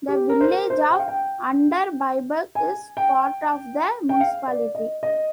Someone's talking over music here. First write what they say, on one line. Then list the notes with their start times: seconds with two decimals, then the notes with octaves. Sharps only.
The village of "Unterbiberg" is part of the municipality.
0.08 G4
0.29 A#4
0.41 C5
0.50 A#4
0.70 C5
0.91 G5
0.99 F5
1.08 G5
2.55 G#5
2.97 G5
4.09 G5
4.20 F5
4.48 D5
4.75 D#5
5.03 D#5